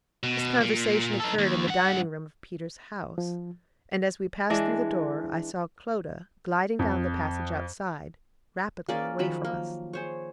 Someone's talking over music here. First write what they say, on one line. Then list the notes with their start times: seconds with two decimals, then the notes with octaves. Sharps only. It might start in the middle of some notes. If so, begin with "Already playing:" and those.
This conversation occurred in the dining-room of Peters' house: and as we passed through the door, I saw Clodagh gliding down the passage outside--rapidly--away from us.
0.23 B2
0.61 A#2
1.20 D#4 A4
1.38 D#2
1.68 G2 F#5
3.18 F3
4.50 E3 G#3 D4
6.79 F2
8.89 A#3 C#4 G#4 D5
9.19 D#3 F3 F#3 B5
9.45 A#3
9.93 G#4 C5 C#5